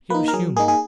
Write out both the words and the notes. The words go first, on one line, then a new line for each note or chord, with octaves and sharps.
He was human.
A#3 D#4 B4
A#4
F#3 G#4
A#3 D#4 G#4
G#4